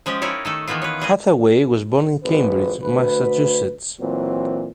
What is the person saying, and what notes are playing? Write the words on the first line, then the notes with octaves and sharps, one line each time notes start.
Hathaway was born in Cambridge, Massachusetts.
F3 G#3 C#4 G4
D#4 E4 A#4 C#5 D5
D#3 A3 A4
D#3 E3 A#3 B3 F4
B4 C#5
G3 G#4 D#5
G#1 F2 B4
D2 B4
A#2 E3 F#3 C4